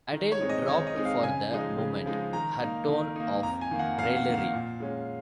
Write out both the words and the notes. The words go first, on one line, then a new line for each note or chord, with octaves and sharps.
Adele dropped for the moment her tone of raillery.
D#3
C#5
G#3 C4 D#4
D#5
D#3 C#5
D#5
G#3 C4 D#4
F5
C#3 G#5
F3 G#3 D#4
C#3
F3 G#3 D#4
D#3 A#5
A#3 D#4
D#3
A#3 D#4
F2 A#5
G#5
D#3 A#3
F#5
F2 F5
F#5
D#3 A#3
F5
A#2
G#3 C#4